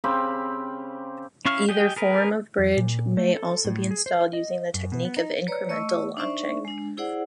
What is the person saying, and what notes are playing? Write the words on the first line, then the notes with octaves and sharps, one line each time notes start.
Either form of bridge may also be installed using the technique of incremental launching.
C#3 C4 G4 B5
C#4 E4 F5 C#6 F6
G4 G#4 D#5 G5
G#4 A#4 B4
F2
A#2
A3
A4
A2
G#4
C5
D#5
F#2
B2
B3
D#4
B4 C#5 D5 A#5
A3 D#5 C#6 E6
D4 D#4 C5 D5 E5 C#6
G#3 D4
E4 G#4 C5 D5 F#5